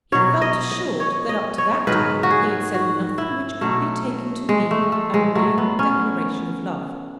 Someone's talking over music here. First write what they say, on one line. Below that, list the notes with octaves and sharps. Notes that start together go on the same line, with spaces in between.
He felt assured that up to that time he had said nothing which could be taken to mean a real declaration of love.
B2 F#3 C#5
D#5
D#5
C#5
D#5
C#5
G#2 D#3 F#3 B4
F#4
G#4
F#4
E4
B2 F#3 A3
G#3
A3
A3
G#3
A2 F#3 A3
B3
C#4